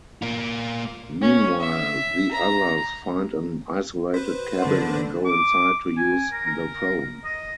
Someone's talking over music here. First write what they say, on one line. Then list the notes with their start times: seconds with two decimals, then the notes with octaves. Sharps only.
Meanwhile, the others find an isolated cabin and go inside to use the phone.
0.22 A#3 F4
1.21 C#4
1.60 E5
2.31 A#5
4.14 F#4 B4 C5
4.59 D3 D4 F#5 C6
5.25 D6
5.97 G#5
6.32 A#4
6.46 A#4
7.24 D#5